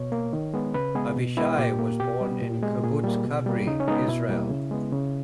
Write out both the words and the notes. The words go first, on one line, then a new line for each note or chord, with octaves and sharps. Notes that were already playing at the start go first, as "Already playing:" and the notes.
Avishai was born in Kibbutz Kabri, Israel.
Already playing: B2 C#5
A#3
D#3
G#3 B3
C#3 B4
G#3 B3 G#4
B2
G#3 B3 E4
A#2 G4
A#3
B2 G4
G3 B3
A#2
G#3 B3
A#2 G#4
G3 A#3
B2
G3 A#3
C#3 D#4
C#4
G#3 B3 D#4
B2 E4
G3 A#3
C#3
G#3 B3
C#3